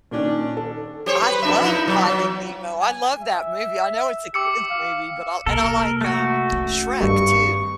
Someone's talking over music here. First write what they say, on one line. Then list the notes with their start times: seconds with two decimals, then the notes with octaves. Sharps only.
I love Finding Nemo, I love that movie, I know it's a kid's movie, but I'll and I like, um, Shrek too.
0.11 A#2 D#3 C#4 D4
0.57 A4
1.06 G4 C5 C#5
1.22 B4
1.42 F2 D4 E5
1.62 D#4 E4 B4
1.86 B2 F#3
2.07 F#3
2.81 G#5
3.22 E5
4.34 G4 D6 E6 C#7
4.70 F5
5.46 C3 A#3 A4 A#4
6.01 A3 F#4
6.53 C#4
7.01 G2 D#3 C4 C#6